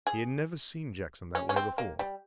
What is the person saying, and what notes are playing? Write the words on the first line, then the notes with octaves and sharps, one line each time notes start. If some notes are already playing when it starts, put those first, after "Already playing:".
He had never seen Jackson that way before.
G#4
C#4
C#4
C4
A#3
G3